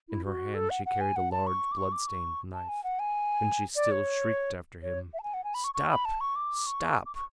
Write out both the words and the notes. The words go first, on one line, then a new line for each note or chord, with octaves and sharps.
In her hand she carried a large blood-stained knife, and she still shrieked after him, "Stop! stop!"
E4
F#4
A4
F#5
F#5
G#5
F#5
A5
C#6
D6
C#6
D6
C#6
A5
G#5
F#5
G#5
D5
C#5
C#5
E5
A5
G#5
F#5
G#5
B5
C#6
C#6
B5
A5
C#6
D6
C#6
D6
C#6